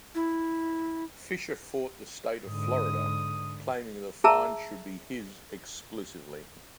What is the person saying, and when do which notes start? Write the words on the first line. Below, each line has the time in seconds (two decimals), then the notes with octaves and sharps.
Fisher fought the State of Florida, claiming the find should be his, exclusively.
0.15 E4
2.47 G#2 D3 D#6
4.24 G#4 E5 A5 A#5 E6